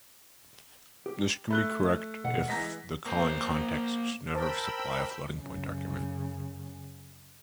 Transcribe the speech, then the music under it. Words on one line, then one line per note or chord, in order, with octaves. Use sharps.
This can be correct if the calling contexts never supply a floating point argument.
G4
A3 B5 F#6 G7
B2 F#5
E3 G#3 D#5 A#5 A#6 B6
A#3 C5
A#4 C5 G5 A5 B5 E6
F#2 C#3